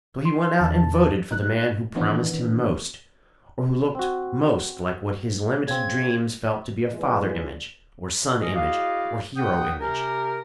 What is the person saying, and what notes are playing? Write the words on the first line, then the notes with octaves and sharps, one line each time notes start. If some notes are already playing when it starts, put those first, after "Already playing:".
So he went out and voted for the man who promised him most, or who looked most like what his limited dreams felt to be a father image or son image or hero image.
C6
E2 D#3 A5
D#4 F#6
D#3 E3 B3 C#4 D4 E4
C4 F#4
C#3 C4 G#6
F2 E3 G#3 B3 F4 D5
C#4 G#4 D#5
E4 F#4 G#4 D5 D#5 F5
F#5 G5 D#6
C3 C#4 G4 A#4